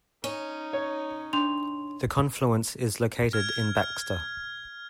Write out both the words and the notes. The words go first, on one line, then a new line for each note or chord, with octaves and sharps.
The confluence is located in Baxter.
C#4 D#4
C#5
D4 C6 F7
F6 G#6